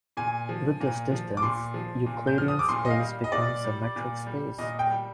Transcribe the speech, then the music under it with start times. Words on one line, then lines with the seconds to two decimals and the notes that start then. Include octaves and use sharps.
With this distance, Euclidean space becomes a metric space.
0.17 A#2 G#5
0.49 F3
0.80 A#2
1.12 F3
1.37 D6
1.43 A#2 C6
1.74 F3
2.06 A#2
2.27 G6
2.38 F3 F6
2.48 D#6
2.59 D6
2.69 A#2 C6
2.85 D#5
2.90 F5
3.00 G3
3.24 D#5
3.32 A#2 D5
3.64 G3
3.96 A#2
4.27 G3
4.59 A#2 D#5
4.79 G5
4.90 G3